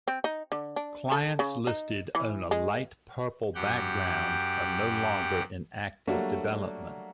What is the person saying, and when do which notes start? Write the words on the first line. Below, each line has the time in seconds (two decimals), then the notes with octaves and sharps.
Clients listed on a light purple background are no longer in active development.
0.08 C4
0.24 D#4
0.52 D3
0.76 D4
1.12 A4
1.39 C#3
1.67 D#4
2.15 E3
2.51 G#3
3.55 F#2 G4 F#5 G5
6.07 F#3 G3 A3 A#3 D4 F#4